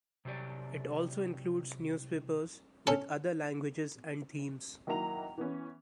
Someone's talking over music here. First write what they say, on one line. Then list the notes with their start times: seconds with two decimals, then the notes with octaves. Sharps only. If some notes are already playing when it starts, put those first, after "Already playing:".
It also includes newspapers with other languages and themes.
0.25 C3 F#3 G4 D5
2.87 C#4 A4
4.87 D#3 F#3 A#3 E4 A#5 F7
5.38 E3 B3 C#4